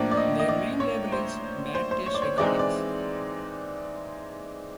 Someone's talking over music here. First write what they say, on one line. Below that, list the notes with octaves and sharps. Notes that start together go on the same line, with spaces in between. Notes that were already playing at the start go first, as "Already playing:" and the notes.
Their main label is "Bad Taste Recordings".
Already playing: A2 F3 A#3 D4 D5
D5
D#5
D#5
D5
C#5
C5
C5
C5
C#5
D5
C#5
E3 G#3 C4 D#4 D5
D5